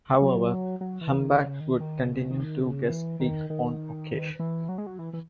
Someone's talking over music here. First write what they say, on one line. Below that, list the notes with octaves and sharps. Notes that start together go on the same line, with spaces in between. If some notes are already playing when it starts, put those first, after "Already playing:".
However, Humbard would continue to guest-speak on occasion.
F#3
F#3
E3
D#3
C#3
D#3
D#3
C#3
D#3
C#3
E3
D#3
D#3
E3
F#3
G#3
F#3
E3
E3